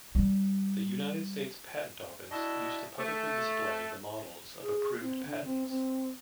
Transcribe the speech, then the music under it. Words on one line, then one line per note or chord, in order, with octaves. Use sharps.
The United States Patent Office used to publicly display the models of approved patents.
G3
D4 E4 F#4 D#5 E5
A3
G#4
C4
D3
C4
C4